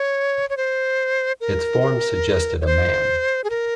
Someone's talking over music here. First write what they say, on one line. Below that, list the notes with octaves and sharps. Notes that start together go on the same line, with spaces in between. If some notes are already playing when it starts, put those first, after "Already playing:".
Its form suggested a man.
Already playing: C#5
C#5
C5
A#4
C#5
C5
G#4
A#4